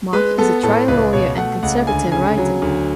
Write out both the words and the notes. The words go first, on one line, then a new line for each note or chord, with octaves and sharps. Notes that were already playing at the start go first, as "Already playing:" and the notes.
Mark is a trial lawyer and conservative writer.
G#3 B4
B3 A4
A2 A4
C#2 B4
B2 C#5
A3 F#5
C#2 F#5
D2 G#5
C#3 G#5
F#3
D2